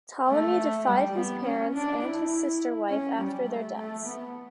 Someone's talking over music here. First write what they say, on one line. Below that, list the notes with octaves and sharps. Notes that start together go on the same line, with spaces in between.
Ptolemy deified his parents and his sister-wife after their deaths.
A3
G3
B3
C#4
D4
E4
C#4
G3
A3
A3
B3